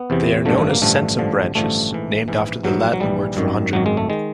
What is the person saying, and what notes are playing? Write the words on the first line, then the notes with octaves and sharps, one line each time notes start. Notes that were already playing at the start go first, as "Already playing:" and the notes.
They are known as "centum" branches, named after the Latin word for "hundred".
Already playing: B3
E2 C3 E3
A1 G2 D3 F3 A3
A3
A#3
A1 G2 D3 F3 A3
A1 G2 D3 F3
A1 G2 D3 F3 A3
A#1 G#2 E3
A#1 G#2 E3
A#1 G#2 E3 F#3
F#3
A#1 G#2 E3 G3
G#1 F#2 D#3
G#1 F#2 D#3 F#3
G#3
A3
D#3 G#3